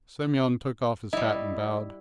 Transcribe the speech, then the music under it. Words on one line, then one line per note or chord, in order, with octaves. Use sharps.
Semyon took off his hat and bowed.
G3 E4 D#5